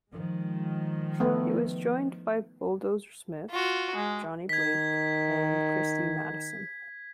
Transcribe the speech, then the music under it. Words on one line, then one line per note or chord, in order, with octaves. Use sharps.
He was joined by Bulldozer Smith, Johnny Blake, and Christie Madison.
D#3 F3 G#3
A3 B3
F4 F#4
G#3
D#3 G#6 B6